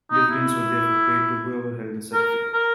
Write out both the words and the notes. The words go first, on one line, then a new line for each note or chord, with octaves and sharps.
Dividends were therefore paid to whoever held the certificate.
D#4
E4
A#4
A#4